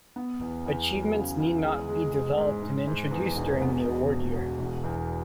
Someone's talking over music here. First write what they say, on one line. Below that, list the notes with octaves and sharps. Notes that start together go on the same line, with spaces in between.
Achievements need not have been developed and introduced during the award year.
B3
E2
E2
F#3
C#3
E2
G#3
G#3
G#3
G#2
G#2
G#2
E2
E1
B3
E1
B2
B2
E1
E2